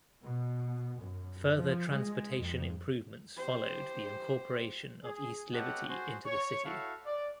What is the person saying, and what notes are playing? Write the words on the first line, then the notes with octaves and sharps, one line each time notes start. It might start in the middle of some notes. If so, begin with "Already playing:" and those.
Further transportation improvements followed the incorporation of East Liberty into the city.
B2
F#2
F3
G#3
F2
G4 C5
G#4
B3 C#4 G4 A4 D#5 F#5
F#4 G#4 C5
C#5 C#6
E4 F#4 A4 F5
D5